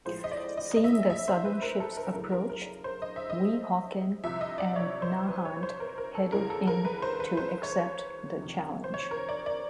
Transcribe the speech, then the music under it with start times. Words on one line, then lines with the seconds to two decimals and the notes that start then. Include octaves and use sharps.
Seeing the Southern ships approach, "Weehawken" and "Nahant" headed in to accept the challenge.
0.05 A2 F3 G#3 C5
0.24 D#5
0.31 D5
0.57 D#5
0.77 D#5
0.84 E5
1.10 E5
1.28 C5
1.45 B4
1.62 A#4
1.80 A4
1.97 A#4
2.14 F#2 C#3 E3 A3 A#4
2.32 A#4
2.50 A#4
2.84 C5
3.02 D#5
3.16 E5
3.30 D#5
4.24 C2 C3 F3 E5
4.41 D#5
4.58 D5
4.76 C#5
5.02 C5
5.28 B4
5.45 C#5
5.63 C5
5.80 A#4
5.98 A#4
6.15 A4
6.32 E2 C#3 E3 G#3 A#4
6.50 A4
6.67 A#4
6.85 B4
7.02 C5
7.20 B4
7.37 C5
7.63 C#5
8.41 F2 C3 D#3
8.84 C5
8.94 C#5
9.11 A#4
9.29 D5
9.46 D5